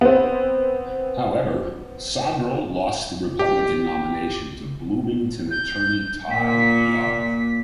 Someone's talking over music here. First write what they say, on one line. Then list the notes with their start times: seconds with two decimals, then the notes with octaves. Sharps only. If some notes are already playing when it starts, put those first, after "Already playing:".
However, Sodrel lost the Republican nomination to Bloomington attorney Todd Young.
0.01 B3 C4
3.39 G4
5.51 G6
6.31 A#2 B6